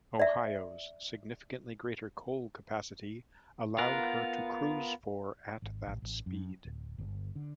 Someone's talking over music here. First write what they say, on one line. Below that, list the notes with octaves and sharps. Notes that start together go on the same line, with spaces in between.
"Ohio"s significantly greater coal capacity allowed her to cruise for at that speed.
D5 E5
B3 F4 A#4 F#5
G#1
A1
A1
F#2
D1
G1
D3